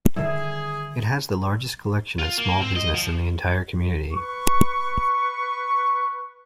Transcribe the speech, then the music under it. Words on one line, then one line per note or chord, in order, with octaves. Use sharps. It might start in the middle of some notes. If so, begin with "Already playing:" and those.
It has the largest collection of small business in the entire community.
D3 D#3 G3 E4 G#4
F4
A#3
C4
D#5
F3
B4 C#6